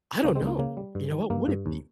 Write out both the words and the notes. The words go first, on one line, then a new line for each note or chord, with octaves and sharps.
I don't know. You know, what would it be?
C#2 A#3 C#4
G#3 C4
C#2
A#3
C#3 A#3
G3
G2
D#3
G2 A#3
G2
D#2